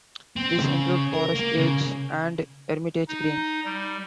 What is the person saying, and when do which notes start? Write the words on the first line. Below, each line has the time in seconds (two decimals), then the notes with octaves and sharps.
These include Forest Edge and Hermitage Green.
0.36 C4
0.61 C#3
1.13 A#4
1.35 A#3
1.57 C#3
3.08 D#4
3.65 G3